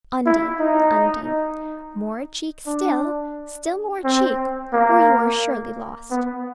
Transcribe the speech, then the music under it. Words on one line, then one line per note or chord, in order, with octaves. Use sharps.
Undy, Undy, more cheek still, still more cheek, or you are surely lost.
E4
D#4
D4
C4
A#3
B3